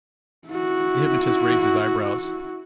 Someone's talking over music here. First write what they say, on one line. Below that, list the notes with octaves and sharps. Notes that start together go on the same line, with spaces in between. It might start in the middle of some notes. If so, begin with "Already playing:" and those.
The hypnotist raised his eyebrows.
E4 F#4